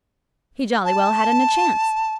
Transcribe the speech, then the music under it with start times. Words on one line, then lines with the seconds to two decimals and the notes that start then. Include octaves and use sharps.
He jolly well hadn't a chance.
0.85 A5